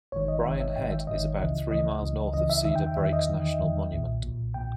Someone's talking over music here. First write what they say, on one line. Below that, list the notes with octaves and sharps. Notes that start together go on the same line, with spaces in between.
Brian Head is about three miles north of Cedar Breaks National Monument.
G#1 G#2 D#3 C#5
D#5
G#1 G#2 D#3 E5
E5
G#1 G#2 D#3 G5
E5
G#1 G#2 D#3 D#5
C#2 C#3 E3
C#2 C#3 E3 D#5
C#2 C#3 E3
C#2 C#3 E3 D#5
E5
E2 D#3 E5
G5
E5
E2 D#3 E5
D#5
E2 D#3
E2 D#3
B1 A#2
B1 A#2
A#2 G5